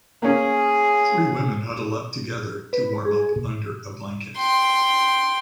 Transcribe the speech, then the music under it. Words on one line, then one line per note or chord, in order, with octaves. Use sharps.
Three women huddle up together to warm up under a blanket.
A#3 C#4 G#4
B4
G#4
A#2
G5 C6